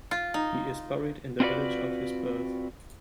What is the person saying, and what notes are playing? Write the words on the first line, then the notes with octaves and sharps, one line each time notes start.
He is buried in the village of his birth.
F4
D#4
C4 D4 F4 F#4 B4 D5